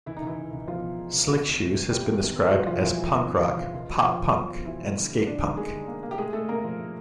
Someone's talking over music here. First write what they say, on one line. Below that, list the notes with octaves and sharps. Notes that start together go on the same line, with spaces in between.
Slick Shoes has been described as punk rock, pop punk, and skate punk.
C#2 E3 E4
D#4
C#2
E3 E4
C#2
C#2
B2 F3 F4
C#2
G#3
C#2
C3 F#3 F#4
D#3
C3
E2
E2 G3 G4
E2
D#3
E2
F3 F#3 F#4
F3 G#3 F4
E3 F3 E4
G#3
D#2
C#3
F3 F4
F3
C#2
F#3
C#2 F3 F4
C#2
F#3
B2
E3 F#3 E4
A3
D3
G3
D3 D4
D3 D#4
G3 G#3 G#4
D3
A#3
A#3
G4
G#3 A3 G#4
A3 A4
C#3 A#3 A#4
F3
A3